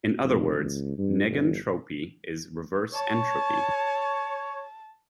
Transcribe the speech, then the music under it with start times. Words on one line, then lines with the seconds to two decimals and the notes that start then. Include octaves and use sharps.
In other words, negentropy is reverse entropy.
0.23 F1
0.58 C#2
0.98 G2
1.28 G1
2.94 C#5 A5